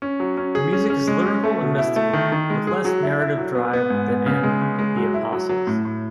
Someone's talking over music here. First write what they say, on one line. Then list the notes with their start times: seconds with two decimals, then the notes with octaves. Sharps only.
The music is lyrical and mystical, with less narrative drive than in "The Apostles".
0.02 C#4
0.20 F#3
0.37 C#4
0.55 G#4
0.73 C#4
0.90 C#4
1.07 G#3
1.25 C#4
1.44 A3
1.62 B2
1.78 E4
1.96 A3
2.13 D#3
2.32 D#3
2.50 G#3
2.67 G#4
2.85 F#3
3.03 E4
3.20 E4
3.38 F#3
3.55 B3
3.73 B3
3.90 G#2
4.08 B3
4.26 C#3
4.43 G#3
4.61 C#3
4.79 G#3
4.97 F#3
5.14 E4
5.32 F#3
5.49 F#3
5.67 A2
5.85 A2